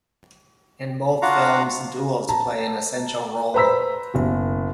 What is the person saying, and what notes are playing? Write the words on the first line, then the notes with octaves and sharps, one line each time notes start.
In both films, duels play an essential role.
D4 F4 F#4 F5 F#5 A#5
A5 A#5
B4 C5 A#5 E6 B6
F#1 B2